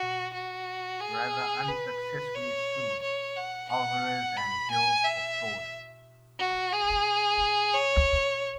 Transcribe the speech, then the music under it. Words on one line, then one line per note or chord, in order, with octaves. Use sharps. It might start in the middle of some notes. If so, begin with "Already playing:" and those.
Wrather unsuccessfully sued Alvarez and Hill for fraud.
Already playing: F#4
F#4
G#4
B4
C#5
C#5
F#5
F#5
B5
G#5
E5
F#4
G#4
C#5